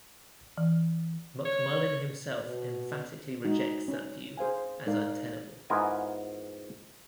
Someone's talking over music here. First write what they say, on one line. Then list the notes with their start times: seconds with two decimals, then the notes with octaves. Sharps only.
McMullin himself emphatically rejects that view as untenable.
0.58 E3
1.45 C#5
2.43 B2
3.44 G#3 D#4 F#4
3.88 C#4
4.37 G#4 C5 F5 G#5
4.86 G#3 D#4 A#4 D5 F5
5.70 G#2 B3 E4 F4 A#4 G#5